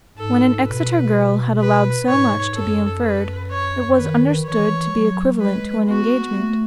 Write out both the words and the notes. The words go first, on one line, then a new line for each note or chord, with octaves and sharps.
When an Exeter girl had allowed so much to be inferred, it was understood to be equivalent to an engagement.
G#2 A4
B2 B4
B4
G#2 C#5
F#2 A4
B4
C#5
D#3 B4
E3 C#5
F#3
G#3 B4
B3 F#4
A3